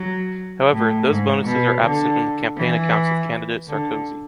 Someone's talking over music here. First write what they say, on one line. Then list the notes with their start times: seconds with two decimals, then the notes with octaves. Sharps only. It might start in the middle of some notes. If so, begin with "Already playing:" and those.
However, those bonuses are absent in the Campaign Accounts of candidate Sarkozy.
Already playing: F#3
0.72 A2
1.08 G#2
1.45 B2
1.82 D3
2.56 E3
3.67 D3